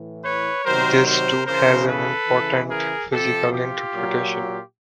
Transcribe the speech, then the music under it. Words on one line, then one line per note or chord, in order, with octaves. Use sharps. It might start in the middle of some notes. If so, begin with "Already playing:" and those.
This too has an important physical interpretation.
Already playing: A2 E3
B4 C#5
C3 D#3 F#3 A#4 C5
A#4 C5
C#3 E3 A#4 C5
A4 B4
C#3 E3
G#4 A#4
C3 F3 G4 A4
F4 G4
A#2 F#3